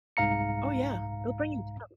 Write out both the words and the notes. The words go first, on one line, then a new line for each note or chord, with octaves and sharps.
Oh, yeah. It'll bring you down.
C2 G#2 F5 A#5 C#7